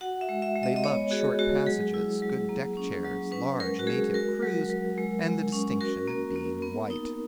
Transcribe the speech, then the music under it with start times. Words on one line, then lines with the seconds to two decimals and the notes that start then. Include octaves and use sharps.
They loved short passages, good deck-chairs, large native crews, and the distinction of being white.
0.01 F#4 F#5
0.21 E5
0.29 G#3
0.42 E5
0.56 G#3
0.63 D#5
0.76 D#5
0.84 B3 C#5
1.11 F#4 G#4
1.39 G#3 F#4
1.66 F#3 G#4
1.94 E4
2.22 F#3
2.49 A#3
2.77 C#4
3.05 F#3
3.32 C#4 B4
3.60 G#3 A#4
3.79 F#4
3.87 G#3 G#4
4.14 F#4 A#4
4.42 F#3
4.70 F#3
4.98 G#3
5.25 G#3
5.52 C#4
5.81 F#4 A#4
6.08 A#3
6.36 A#3
6.62 B3
6.90 D#4